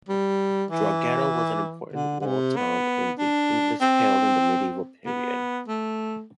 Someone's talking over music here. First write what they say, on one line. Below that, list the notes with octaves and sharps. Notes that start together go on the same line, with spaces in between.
Drogheda was an important walled town in the English Pale in the medieval period.
G3
E3
D3
D3
C3
B3
D4
C4
B3
A3